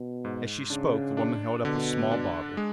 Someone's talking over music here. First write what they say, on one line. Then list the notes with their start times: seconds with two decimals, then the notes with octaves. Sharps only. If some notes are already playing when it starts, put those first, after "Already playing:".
As she spoke the woman held up a small bottle.
Already playing: B2
0.25 G#2
0.70 C#3 D4
1.17 D4
1.65 B2 D3
2.11 D4
2.57 G#3